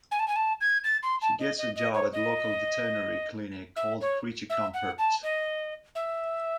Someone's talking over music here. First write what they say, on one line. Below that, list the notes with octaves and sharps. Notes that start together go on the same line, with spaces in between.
She gets a job at a local veterinary clinic called Creature Comforts.
G#5
A5
G#5
A5
G#6
A6
C6
A5
D#5
D#5
D#5
C#5
D#5
E5
C#5
E5
F#5
A5
D#5
E5